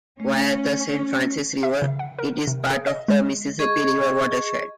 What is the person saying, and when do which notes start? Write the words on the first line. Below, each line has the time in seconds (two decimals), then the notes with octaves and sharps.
Via the Saint Francis River, it is part of the Mississippi River watershed.
0.20 A3 C#4
1.63 E5
1.82 C#3
1.99 F#5
2.19 A#4
2.47 C3
2.70 G#4
2.87 D#5
3.08 G#3
3.59 G#4 D#5 C#6